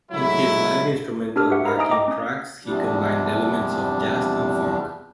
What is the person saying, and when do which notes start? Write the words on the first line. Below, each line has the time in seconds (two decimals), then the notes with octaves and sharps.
In his live instrumental backing tracks he combined elements of jazz and funk.
0.11 B1 A2 C#3 F#3 G#3 E4
1.36 D4 G4 A4 A#4 F6
1.50 F#4 G4 B4 E5 F#5
1.65 A#4 C5 D#5 F5 A#5 B5
1.77 D#4 E5 G#5 A#5 D#6 D7
1.91 D#5 G5 A#5 D6
2.08 C#4 D#6
2.65 E2 C3 F3 G3 D4